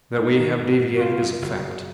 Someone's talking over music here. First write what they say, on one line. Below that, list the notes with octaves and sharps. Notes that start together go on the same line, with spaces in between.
That we have deviated is a fact.
G#2 D#4
D#3
G#2
G#2
F#4
C#3 F4
F#2
F#1
F#2